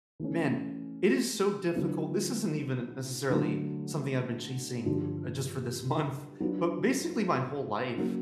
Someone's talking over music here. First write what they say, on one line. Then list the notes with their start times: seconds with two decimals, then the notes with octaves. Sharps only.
man, it is so difficult, this isn't even necessarily something I've been chasing, uh, just for this month, but basically my whole life
0.20 E3 A3 C#4
1.75 D3 F#3 B3 E4
3.30 D3 F#3 A3
4.85 G2 D3 F3
6.40 F#3 B3 D4 F4
7.95 C#3 F#3 A#3